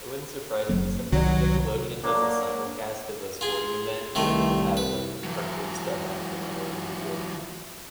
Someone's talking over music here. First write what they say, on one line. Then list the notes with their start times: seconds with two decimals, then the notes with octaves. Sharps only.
It wouldn't surprise me; sometimes Nickelodeon does a simulcast of a sporting event where they'll have, like, cartoon stuff happening all over the field.
0.69 F#1 F#3 A#3
1.12 C2 C3 D#3 F#3
2.03 F#3 A#3 D4
3.41 F4 G#4
4.15 C2 D#3 A3 F4
4.77 B4
5.23 E3 F#3